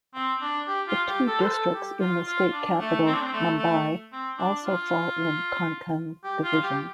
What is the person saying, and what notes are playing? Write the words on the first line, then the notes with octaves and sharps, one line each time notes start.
The two districts in the state capital Mumbai also fall in Konkan division.
C4
D4
G4
F4
G4
A4
C5
A4
G4
F4
F4
D4
A3
C4
D4
C4
A3
A3
C4
D4
F4
G4
F4
G4